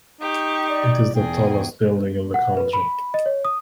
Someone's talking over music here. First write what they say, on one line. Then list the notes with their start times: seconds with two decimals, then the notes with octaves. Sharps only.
It is the tallest building in the country.
0.21 D#4 G4 C#6
0.69 D5
1.15 E2 G#4 G5
2.34 F#5
2.57 B4
2.73 B5
3.14 D#5
3.26 C#5
3.45 D#6